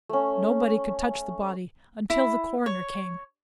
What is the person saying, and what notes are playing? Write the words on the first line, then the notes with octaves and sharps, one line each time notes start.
Nobody could touch the body until the coroner came.
A3 C#4
E4
C#5